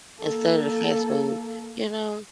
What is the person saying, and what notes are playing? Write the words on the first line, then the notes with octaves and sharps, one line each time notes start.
instead of fast food, you know?
A#3 A4